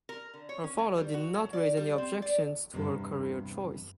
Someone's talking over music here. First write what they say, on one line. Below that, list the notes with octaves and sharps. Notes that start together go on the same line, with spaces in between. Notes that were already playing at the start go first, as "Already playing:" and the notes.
Her father did not raise any objections to her career choice.
A#4
D3
C#5
C#4
F#3
G3
F#4
F#3
D5
G3
C4
D5
E2 G2 C3